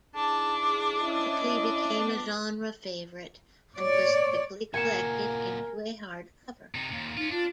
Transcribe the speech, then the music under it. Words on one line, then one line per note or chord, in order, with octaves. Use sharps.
It quickly became a genre favorite, and was quickly collected into a hardcover.
G#2 D4 E4 G#4 A5
D6
C#4 E4 D#5
F2 B3
C#5 D5
A#2 F#4 A#4 G#5 C#7 E7
C3 D#4
D#2 A#2
C#4 D#4 F4
D4 F4